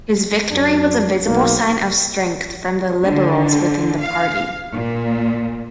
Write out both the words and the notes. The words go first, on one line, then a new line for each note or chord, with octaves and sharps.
His victory was a visible sign of strength from the liberals within the party.
F#2 D4
B1 A#3
D3
F5
A#2